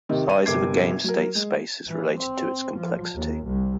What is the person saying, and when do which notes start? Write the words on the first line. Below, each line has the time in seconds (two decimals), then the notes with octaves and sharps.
The size of a game's state space is related to its complexity.
0.09 C3 D#3 C4
0.29 D#7
0.46 G1 C3 A#4 D6 G#6 C7
1.04 F#3 A#4
1.35 G#3
1.87 E3
2.18 C4
2.77 F3
3.14 D#2
3.46 C2